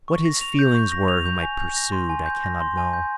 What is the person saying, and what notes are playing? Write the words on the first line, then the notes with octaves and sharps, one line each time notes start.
What his feelings were whom I pursued I cannot know.
C#6
A#6
F7
G6
C#6
A#6
F7
G6
G#5
G6
A#6
C6
G#5
G6
A#6
C6
G#5
G6